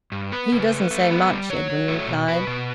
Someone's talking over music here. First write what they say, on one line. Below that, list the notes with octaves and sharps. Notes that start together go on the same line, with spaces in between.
"He doesn't say much," Edwin replied.
G2
B3 B4
C#3
A3
A3
B3
G3
F#3 C#5
F#3
A3
B2
B2 B4
B2